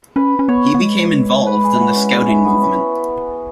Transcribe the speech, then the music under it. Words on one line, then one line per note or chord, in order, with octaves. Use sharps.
He became involved in the Scouting movement.
C#4 B4
C#4
B3 C#5
B3
G#3
B4
G#4
E4 F#4
C#4
G#4
E4
B3
C#4